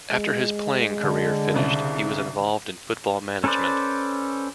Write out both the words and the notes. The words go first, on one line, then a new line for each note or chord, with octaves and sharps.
After his playing career finished, he was involved in football management.
G#3
D3
C2 C#3
C#4 A4 B4 C5 D5